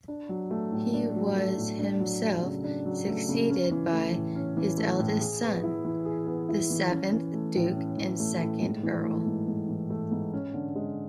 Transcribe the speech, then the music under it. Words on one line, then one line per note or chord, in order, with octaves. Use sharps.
He was himself succeeded by his eldest son, the seventh Duke and second Earl.
D4
F#3
A3
A2
D4
F#3
A3
A2
D4
F#3
A3
C#3
D4
F#3
A3
C#3
C#4
E3
A3
A2
C#4
E3
A3
A2
G#4
B3
E4
E3
G#4
B3
E4
E3
C#4
E3
A3
A2
C#4
E3
A3
A2
G#2
E3
A3
G#2
G#2
E3
A3
G#2
C#4
D3
G#3